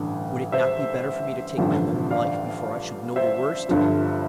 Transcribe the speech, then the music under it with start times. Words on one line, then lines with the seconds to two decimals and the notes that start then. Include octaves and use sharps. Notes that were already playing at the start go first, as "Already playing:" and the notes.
Would it not be better for me to take my own life before I should know the worst?
Already playing: A1 G2 D3
0.52 C5 E5
1.58 A1 G2 D3 F3
2.11 D5 F5
3.16 C5 E5
3.69 G1 G2 D3 F3